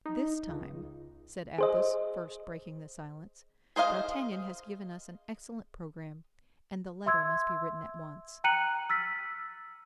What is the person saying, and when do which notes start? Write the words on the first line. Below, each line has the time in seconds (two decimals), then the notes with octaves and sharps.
"This time," said Athos, first breaking the silence, "d'Artagnan has given us an excellent program, and the letter must be written at once."
0.06 D#4
0.49 C#2
1.58 G#4 C5 D#5
3.76 G#4 C5 D#5 F5
7.06 E5 C6 E6 G#6
8.44 G5 A#5 F#6 C#7 D#7 F#7
8.90 E6 F6 A6 B6